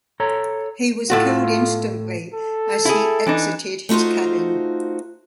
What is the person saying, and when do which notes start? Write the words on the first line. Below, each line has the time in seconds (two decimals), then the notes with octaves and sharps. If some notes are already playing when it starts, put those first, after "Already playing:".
He was killed instantly as he exited his cabin.
0.20 A4 C#5 A#5
1.10 A2 A3 F4 F#4
2.34 A4
2.85 E4 G#4
3.26 E3 D4 D#4
3.89 A3 D#4 F4 F#4 C5